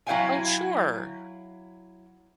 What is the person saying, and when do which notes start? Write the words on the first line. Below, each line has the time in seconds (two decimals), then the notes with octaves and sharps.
Oh, sure.
0.07 F#3 E4 C5 F5 G5 G#5